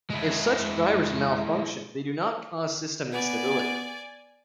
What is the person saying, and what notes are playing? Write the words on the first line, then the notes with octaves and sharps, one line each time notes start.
If such drivers malfunction, they do not cause system instability.
G#3 E4
B3 D5 G#5